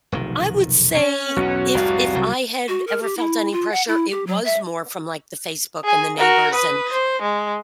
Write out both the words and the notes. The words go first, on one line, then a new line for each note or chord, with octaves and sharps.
I would say, if if I had ever felt any pressure, it was more from, like, the Facebook and the neighbors and,
F1 B1 D#3
C#4
B1 E2 F#4
C2 F2 G#2 C3 F5
C2 F#3 G3
F#4
A#4
G4
E4
F4
F#5
E4
G4
F#3
E5
G#4 G#5
F#4 A#4
B4 D#6
C5
G#3